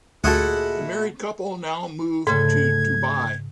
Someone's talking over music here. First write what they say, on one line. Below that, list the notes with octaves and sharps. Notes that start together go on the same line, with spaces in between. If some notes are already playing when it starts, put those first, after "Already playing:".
The married couple now move to Dubai.
D2 A#2 E4 F#4 G#4 A4 D#5 F#5
D2 G#2 C#3 A4 G#6